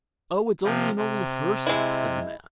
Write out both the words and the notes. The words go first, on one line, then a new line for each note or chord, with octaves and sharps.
'Oh, it's only an old fir-stump', said the man.
C3 F3
C3
G#3 E4